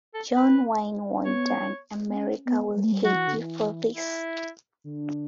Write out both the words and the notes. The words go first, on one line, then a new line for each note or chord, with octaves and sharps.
John Wayne warned Dern, America will hate you for this.
A4
B4
B3 C#5
B3
C#4
B3
G3
A3
G3
F#3 F#4
E3
D3
E3
E4
D3